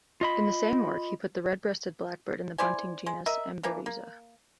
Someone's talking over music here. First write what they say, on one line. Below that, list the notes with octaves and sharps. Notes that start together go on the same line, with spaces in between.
In the same work, he put the red-breasted blackbird in the bunting genus "Emberiza".
F4 D#5 B5
E4 C5 D5 G#5
G#3
A#4 D#5 E5
E3 A#3 D4
A#3